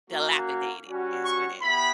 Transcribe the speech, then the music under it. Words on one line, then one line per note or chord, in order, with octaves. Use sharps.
dilapidated, is what it
A#3 C#4 F#4
G3 C#4 F#4
C#6
B3 E4 G4 B5